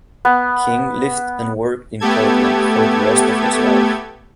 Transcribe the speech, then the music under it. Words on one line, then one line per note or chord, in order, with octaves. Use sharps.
King lived and worked in Portland for the rest of his life.
B3
A3 B3 G4 A4 G#6